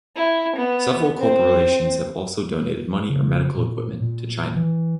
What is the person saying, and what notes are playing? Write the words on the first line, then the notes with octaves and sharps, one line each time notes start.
Several corporations have also donated money or medical equipment to China.
E4
B3
C4 C5
C#3
A#2
A#2
E3